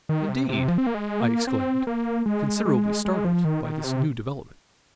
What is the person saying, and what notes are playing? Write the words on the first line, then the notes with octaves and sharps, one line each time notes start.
"Indeed!" I exclaimed, considerably startled by this new development.
D#3
C3
C3
F3
C4
A#3
G#3
A#3
C4
A#3
G#3
G#3
G#3
F3
D#3
D#3
C3